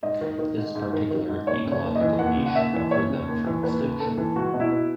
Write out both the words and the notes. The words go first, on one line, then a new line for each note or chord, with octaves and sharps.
This particular ecological niche buffered them from extinction.
G#2 D#5
D#3
D#3
G#2
G#2
D#3
D#3
G#2
D#2 C#5
C#3
C#5
D#2
D#5
E3
D#2 F#5
C#3
F#5
D#2 E5
E3
D#2 C#5
C#3
D#2
E3
D#2 B4
C#3
D#2 A4
E3
C#2 F#4
B2
E4
B2